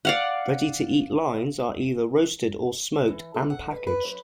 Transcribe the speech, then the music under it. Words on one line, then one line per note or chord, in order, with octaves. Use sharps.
Ready-to-eat lines are either roasted or smoked and packaged.
D5 F5 F#5
E3
A4
F#5
B4
B4
F#2